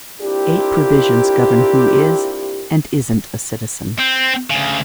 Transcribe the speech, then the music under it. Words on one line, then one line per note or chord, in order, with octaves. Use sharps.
Eight provisions govern who is and isn't a citizen.
A#3 C4 D4 E4 F4 G4
C4
D2 C#3